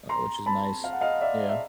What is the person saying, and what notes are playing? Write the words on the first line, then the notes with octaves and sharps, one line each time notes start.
uh, which is nice. Yeah,
A#5 C6
A5 B5
F5
F#5
D#5 F5
D5 E5
E5